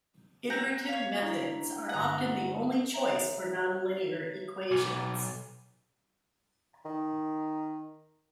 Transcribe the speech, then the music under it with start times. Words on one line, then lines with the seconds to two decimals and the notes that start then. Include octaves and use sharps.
Iterative methods are often the only choice for nonlinear equations.
0.50 C4 F#5 A#5
0.89 C#5 F5
1.22 D4 E4 A#5
1.89 G1 B4 F#5 A#5 G#6
2.94 C#5 E5 A#5
4.71 B1 D6
6.85 D#3